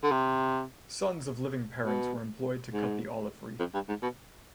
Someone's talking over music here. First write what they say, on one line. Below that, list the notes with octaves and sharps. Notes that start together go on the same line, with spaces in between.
Sons of living parents were employed to cut the olive-wreath.
D3
C3
B2
G#2
F2
G2
G#2
B2